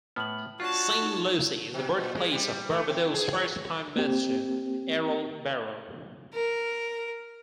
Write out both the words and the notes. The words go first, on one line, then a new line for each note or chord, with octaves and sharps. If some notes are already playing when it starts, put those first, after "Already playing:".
Saint Lucy is the birthplace of Barbados's first Prime Minister, Errol Barrow.
A2 B3 F6 F#7
D4 F4 F#4 C#5 A5 F#6
D#4
B2
A#2
G#3
G3
A3
C4
G#4
C#5
A#3 C4 G4
A#4